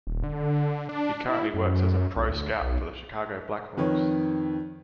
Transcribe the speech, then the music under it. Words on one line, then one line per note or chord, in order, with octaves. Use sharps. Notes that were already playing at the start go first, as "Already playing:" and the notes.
He currently works as a pro scout for the Chicago Blackhawks.
D#1
D3
D4
E4
F#2
B1
D2
B1
F2 D#3 B4 C#5